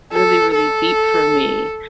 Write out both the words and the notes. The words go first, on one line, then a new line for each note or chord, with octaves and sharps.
really, really deep for me.
A4
A4